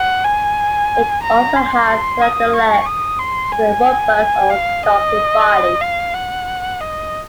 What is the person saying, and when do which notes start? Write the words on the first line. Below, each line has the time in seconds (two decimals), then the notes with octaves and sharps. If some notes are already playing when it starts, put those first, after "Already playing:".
It also has slender legs with a robust or stocky body.
Already playing: F#5
0.24 G#5
1.23 A#5
1.55 C6
2.21 D#6
2.53 C#6
2.85 D#6
3.19 C6
3.52 G#5
4.50 F5
4.83 D#5
5.81 F5
6.14 F#5
6.80 D#5